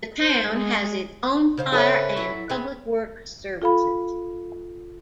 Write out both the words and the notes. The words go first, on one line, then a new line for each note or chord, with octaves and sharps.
The town has its own fire and public works services.
C5
G#3
C#3 C5 F5
C#4 A4 B4 C#5 E5
F#3 E4
B3 G#4
F4 A4 F5 B5